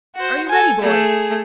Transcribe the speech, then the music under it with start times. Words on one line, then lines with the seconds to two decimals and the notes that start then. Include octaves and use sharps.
"Are you ready, boys?"
0.15 F#4 C5
0.49 A4 G#5
0.82 A3 G#4